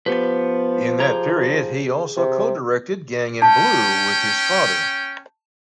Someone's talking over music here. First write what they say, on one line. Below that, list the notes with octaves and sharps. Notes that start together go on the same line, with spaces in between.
In that period he also co-directed "Gang in Blue" with his father.
F3 B3 G4 B4
G4 G#4 A#5
C3
C#4 G5 A5